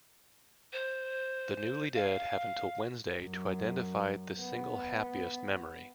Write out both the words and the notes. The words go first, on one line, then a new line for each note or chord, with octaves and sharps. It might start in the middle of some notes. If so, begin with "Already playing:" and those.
The newly-dead have until Wednesday to identify the single happiest memory.
C5
F5
F#2
B3